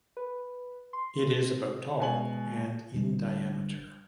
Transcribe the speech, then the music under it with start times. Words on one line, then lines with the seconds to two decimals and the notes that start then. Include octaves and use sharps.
It is about tall and in diameter.
0.17 B4
0.93 C6
1.40 C3
2.00 B2 G#3 G#5 F#7
2.94 G1 G2